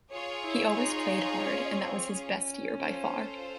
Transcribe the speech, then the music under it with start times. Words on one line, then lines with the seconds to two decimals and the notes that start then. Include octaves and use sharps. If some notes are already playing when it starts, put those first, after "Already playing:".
He always played hard, and that was his best year by far.
0.10 F4 G#4 C#5
0.44 E4
0.78 D#4
1.46 C#4
1.80 C4
2.14 C#4
2.81 F4 A4 C5